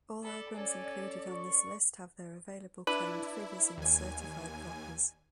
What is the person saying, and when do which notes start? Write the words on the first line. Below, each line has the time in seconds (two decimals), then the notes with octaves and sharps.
All albums included on this list have their available claimed figures in certified copies.
0.23 A4 D5 B5
0.56 C#4 A4 G#5
1.30 C#6
2.87 D4 E4 B4
3.77 D#2 G#5